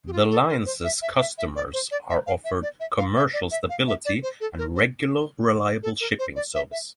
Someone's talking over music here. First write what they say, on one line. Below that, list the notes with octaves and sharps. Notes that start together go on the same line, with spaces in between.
The Line's customers are offered commercial stability and regular reliable shipping service.
G4
F4
A4
A#4
C5
E5
E5
E5
E5
D5
C5
D5
E5
F5
E5
D5
E5
F5
E5
D5
E5
F5
E5
D5
C5
A4
A#4
C5
A4
A#4
C5
D5
E5
E5